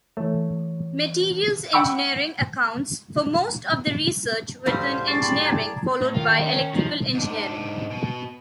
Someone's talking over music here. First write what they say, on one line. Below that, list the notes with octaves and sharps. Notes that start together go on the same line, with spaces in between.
Materials engineering accounts for most of the research within engineering, followed by electrical engineering.
E3 A3 C#5
F#5 G5 B5 C#6 E6
D2 A2 G3 C5 F5
G#4 D5 A5 C#6 A6 C7
G5 B5 C6
A#5 G#6
A2
D#3 F4
D#2
C#4
F3 D#4
G#2 D4
B2